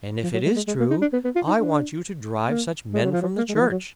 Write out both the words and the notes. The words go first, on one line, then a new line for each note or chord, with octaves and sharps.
And if it is true, I want you to drive such men from the church!
F3
F#3
G#3
G#3
G#3
A#3
D#4
D4
B3
B3
F4
D#4
D4
A#3
G#3
F#3
F3
F#3
A#3
G#3
D#3
F3
F#3